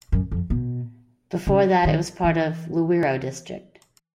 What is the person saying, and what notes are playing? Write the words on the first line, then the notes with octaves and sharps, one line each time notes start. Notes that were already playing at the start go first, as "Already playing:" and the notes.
Before that, it was part of Luweero District.
F#2
F2
B2
C#3
D#3
E3